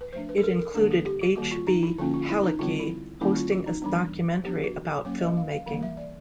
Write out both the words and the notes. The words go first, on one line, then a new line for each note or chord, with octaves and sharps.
It included H. B. Halicki hosting a documentary about film making.
B4
F3 A3 D4 C5
B4
A4
A#4
A#4
D3 G3 A#3 D4 A4
G#4
G4
F#4
D#3 G3 A#3 F#4
F4
D#4
E4
D3 F3 A#3 C#4 F4
F4
E4
D#4
D3 G3 C4 F4
E4
D#3 G3 A#3 C#4 E4
F4
F#4
D#4
E3 G3 B3 D4
F#3 B3 D4 G4
F#4
F#3 A#3 C#4 C#5
D#5
F5
F5
E3 G3 A#3 F5
E5
D5